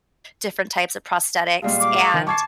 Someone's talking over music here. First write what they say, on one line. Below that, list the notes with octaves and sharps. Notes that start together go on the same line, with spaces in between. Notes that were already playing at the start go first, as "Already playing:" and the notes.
different types of prosthetics and,
A#2 G3 G#3 F5
D6
G#3
D#3
A5 C#6 D6 G#6 C7